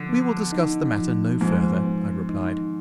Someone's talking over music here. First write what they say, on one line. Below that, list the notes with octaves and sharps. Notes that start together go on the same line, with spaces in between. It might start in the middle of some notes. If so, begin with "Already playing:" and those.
"We will discuss the matter no further," I replied.
Already playing: D3 F3
B3
D#4
F3
G#2 F3
B3
D#4